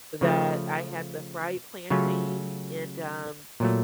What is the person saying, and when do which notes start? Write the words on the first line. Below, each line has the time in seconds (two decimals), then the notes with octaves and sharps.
that I had the fried plantain and, um,
0.21 C#3 F3 A3
1.90 C#3 F#3 A3 C#4 F4
3.60 A#2 F#3 A3